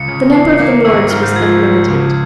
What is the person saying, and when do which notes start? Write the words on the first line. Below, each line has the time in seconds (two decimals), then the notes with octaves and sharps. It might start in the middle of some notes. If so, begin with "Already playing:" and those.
The number of the Lords was unlimited.
Already playing: C#2 C#7
0.08 C#3
0.33 E3 C7
0.59 A#3
0.85 G#1 E6
0.98 E6
1.11 G#2 F6
1.23 G6
1.36 F3 G#6
1.62 F3
1.88 C#2